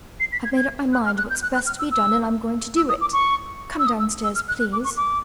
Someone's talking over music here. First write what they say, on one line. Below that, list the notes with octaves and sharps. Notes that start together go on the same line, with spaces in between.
"I've made up my mind what's best to be done, and I'm going to do it. Come down-stairs, please."
C7
B6
G#6
G#6
F#6
F6
F#6
G6
F#6
F#6
F6
E6
E6
E6
D#6
D6
C#6
E6
D#6
E6
E6
F6
F#6
F#6
D6
C#6
D6